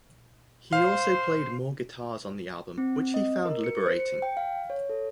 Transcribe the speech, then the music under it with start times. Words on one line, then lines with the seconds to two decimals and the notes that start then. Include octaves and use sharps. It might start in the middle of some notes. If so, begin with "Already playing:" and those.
He also played more guitars on the album, which he found liberating.
0.73 C5 F5
2.78 C4
2.96 C4
3.14 D#5
3.45 A#4
3.64 C#7
3.86 C5
4.00 C#7
4.22 G5
4.37 F5
4.70 C#5
4.90 A4